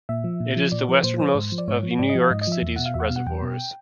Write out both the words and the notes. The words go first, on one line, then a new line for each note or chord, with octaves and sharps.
It is the westernmost of New York City's reservoirs.
A#2 E5
F3
A#2
F3
A#2 D5
F3 B4
A#2 C5
F3 C5
G#2
F3
D5
G#2 C#5
F3
G#2 D5
D#5
F3
F5
G#2 D#5
D#5
F3 E5
E2
B2 F#5
F5
E2 E5
F#5
F5
B2
F#5
E2 G5
B2